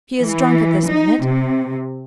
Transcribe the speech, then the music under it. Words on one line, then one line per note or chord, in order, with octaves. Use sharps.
She is drunk at this minute.
E3
D#4
C3